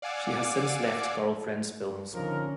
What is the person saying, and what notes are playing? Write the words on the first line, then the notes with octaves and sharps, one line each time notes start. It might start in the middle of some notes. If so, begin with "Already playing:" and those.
She has since left Girlfriends Films.
D5 F5 F#5 G#5 D6 E6
A#1 D3 F3 C#4 D#4 A#4